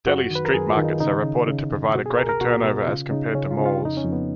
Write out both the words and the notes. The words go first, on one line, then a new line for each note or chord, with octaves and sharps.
Delhi's street markets are reported to provide a greater turnover as compared to malls.
F#2 F#4
D#3
B4
A#4
F#2 G#4
F4
D#3
D#4
C#3 D#4
C#3
C#3
F#2
B2 F#4
G#4
C#2 A#4
A#4
B2 F#4
B2
C#3 F4
C#3 D#4
C#3 C#4
F4
C#3
F4
F2 D#4
C#4
F2
B3